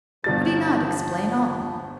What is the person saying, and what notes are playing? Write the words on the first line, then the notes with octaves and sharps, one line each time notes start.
Could he not explain all?
G1 F3 G3 A6